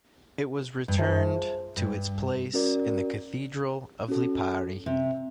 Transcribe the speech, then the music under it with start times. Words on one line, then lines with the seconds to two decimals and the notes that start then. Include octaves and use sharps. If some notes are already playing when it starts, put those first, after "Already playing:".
It was returned to its place in the Cathedral of Lipari.
0.88 G2
0.98 F#2 F4 G#4 C5 E5 A5
1.77 G2
2.54 C#4 F#4 A#4 D5
4.08 C#4 F#4 A4
4.86 C3